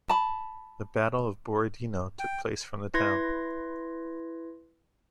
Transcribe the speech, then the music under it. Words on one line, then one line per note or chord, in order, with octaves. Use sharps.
The Battle of Borodino took place from the town.
A5 B5
G5
E4 B4 C6 G#6 A#6